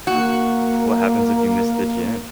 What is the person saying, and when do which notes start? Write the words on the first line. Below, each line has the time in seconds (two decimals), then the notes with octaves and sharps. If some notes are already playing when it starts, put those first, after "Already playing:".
What happens if you miss the gym?
0.07 A#3 F#4